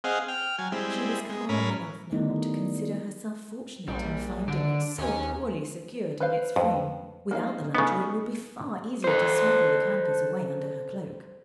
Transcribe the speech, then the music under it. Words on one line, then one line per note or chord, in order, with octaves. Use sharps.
She was calm enough now to consider herself fortunate in finding it so poorly secured in its frame; without the latter it would be far easier to smuggle the canvas away under her cloak.
C4 G#4 D#5 F5 F#5
G5 F6
F#3 G#5
G3 G#3 C4 E4
G#3
A2 C#4 A#4 B5
D#3 G3 A3 B3 D#4 E4
A#1 G3
D3 D4
D#2 C#4 G#5
B4 C5 F5
F2
A#3 D#4 F5
C#3 G#3 A3 B3 D#4
A4 C5